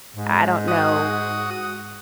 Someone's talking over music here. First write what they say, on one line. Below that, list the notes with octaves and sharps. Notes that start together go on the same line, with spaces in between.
I don't know,
G#2
F#4 D#6